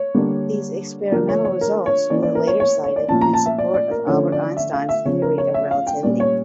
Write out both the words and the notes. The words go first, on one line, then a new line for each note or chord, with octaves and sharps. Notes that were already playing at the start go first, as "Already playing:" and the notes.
These experimental results were later cited in support of Albert Einstein's theory of relativity.
Already playing: C#5
D3 G3 A#3 D4
D3 F3 A#3 D4 A#4
C#5
C#5
A#4
C#5
E3 A#3 C#4 D5
D5
A#4
C#5
C#5
C#5
D5
A#2 F3 C#4 A5
A#5
A5
E5
D5
D5
A#4
D3 F3 A3 C#4 C#5
D5
E5
F5
E5
C#3 F3 C#4 C#5
A#4
C#5
E5
F5
G5
A#2 G3 C#4 D5
C#5